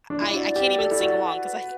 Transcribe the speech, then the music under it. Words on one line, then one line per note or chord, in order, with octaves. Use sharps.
I I I can't even sing along 'cause I I
D4
E4
F#4 D5 E5
G4
A4 D5
E4
F#4
B4
B4